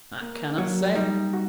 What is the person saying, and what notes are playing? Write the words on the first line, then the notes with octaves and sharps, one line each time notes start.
'I cannot say.
A#3
F#3 A#3
G3 D#4
F#4